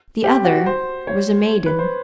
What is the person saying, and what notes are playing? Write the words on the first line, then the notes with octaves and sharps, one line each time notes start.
The other was a maiden.
G4
F#4
C5
C#5
B4
C5